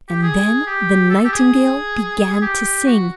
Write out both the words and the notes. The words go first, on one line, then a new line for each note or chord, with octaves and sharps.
And then the Nightingale began to sing.
G4
G#4
G4
A4
G4
G#4
G4
F#4